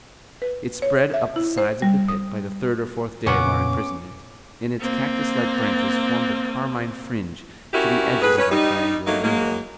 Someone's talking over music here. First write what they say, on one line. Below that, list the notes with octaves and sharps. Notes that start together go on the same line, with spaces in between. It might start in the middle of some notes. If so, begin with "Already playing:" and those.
It spread up the sides of the pit by the third or fourth day of our imprisonment, and its cactus-like branches formed a carmine fringe to the edges of our triangular window.
B4
C#5
E5
E4
C5
G3
D#6
F2 A#2 C#3 B3 C#4 F#5 D6
A#3 C4
C#4 E4 F#4 G4 A#4
A2 G#4 B4
C#4 B4
G3 D#4
F#3 A3 A#3 D#4
F#3 G#3 A#3